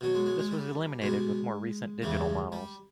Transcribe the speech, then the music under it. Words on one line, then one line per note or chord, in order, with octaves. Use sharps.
This was eliminated with more recent digital models.
B2 F#3
G#3
G#3
G#3
G3
B2 G3 G#3
E2 C#3 E3 G3
G3